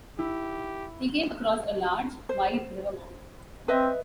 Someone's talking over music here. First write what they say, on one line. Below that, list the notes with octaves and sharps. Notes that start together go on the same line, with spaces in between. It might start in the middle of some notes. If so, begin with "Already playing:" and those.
He came across a large, wide river mouth.
E4 G4
C5
C4 B4 D#5 E5